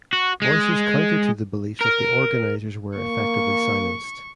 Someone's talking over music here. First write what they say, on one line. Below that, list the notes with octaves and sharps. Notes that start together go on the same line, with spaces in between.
Voices counter to the beliefs of the organizers were effectively silenced.
F#4
G#3
A#4
A#3 C#6